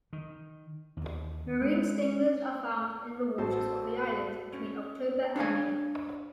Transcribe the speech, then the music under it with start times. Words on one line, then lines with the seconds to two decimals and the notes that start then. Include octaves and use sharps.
Marine stingers are found in the waters of the islands between October and May.
0.13 D#3
0.97 D#2
1.61 G#3
3.38 A1 F#4 A4 C5 A5
4.52 C#4
5.36 D4 C#5 F5 G#5